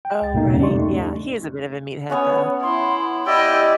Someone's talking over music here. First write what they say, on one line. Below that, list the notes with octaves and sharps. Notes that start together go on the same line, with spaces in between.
Oh, right yeah, he is a bit of a meathead, though.
G5
C#2 A6
G#2 B2 A3 A#3 D#4
E2 C#3 G3 C4 C#4
D4 G4 D5 C6 C#6
A3 D#4
B3 C#4 C#5 F#5
E4 C6
E4 G4 D5 D#5 G5 E6